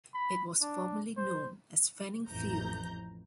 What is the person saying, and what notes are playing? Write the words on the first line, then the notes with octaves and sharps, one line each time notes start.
It was formerly known as Fanning Field.
B5
D4
C5
A1 F2 E3 A#5 G6